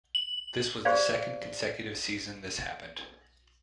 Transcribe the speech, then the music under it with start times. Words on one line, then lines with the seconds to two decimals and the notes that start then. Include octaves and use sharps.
This was the second consecutive season this happened.
0.15 F#7
0.85 G4 G#4 C5 D5 F5